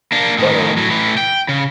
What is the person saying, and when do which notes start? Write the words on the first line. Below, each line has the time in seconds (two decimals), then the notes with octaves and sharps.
but, um,
0.12 A#3 D4
0.38 A2 D#3
0.77 A2 F#3
0.90 A2 E3
1.18 G5
1.49 C#3